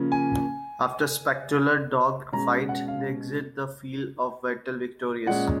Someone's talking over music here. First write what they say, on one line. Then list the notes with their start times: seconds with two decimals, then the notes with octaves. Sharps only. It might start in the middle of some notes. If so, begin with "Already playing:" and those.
After a spectacular dogfight they exit the field of battle victorious.
Already playing: C#3 F3 A#3 C#4
0.12 G#5
2.33 B2 G#3 C#4 A#5
2.69 F#5
2.88 F5
5.26 A#2 G#3 C#4 F#5